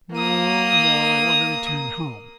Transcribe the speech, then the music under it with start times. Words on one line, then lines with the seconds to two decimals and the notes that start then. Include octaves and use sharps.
"No, no. I want to return home."
0.13 A#3 D#6